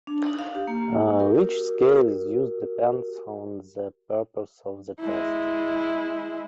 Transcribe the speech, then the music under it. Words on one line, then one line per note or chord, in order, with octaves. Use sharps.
Which scale is used depends on the purpose of the test.
D4
D#4
F5
G4
A#3
F#4 G4 A#4
G#3 E4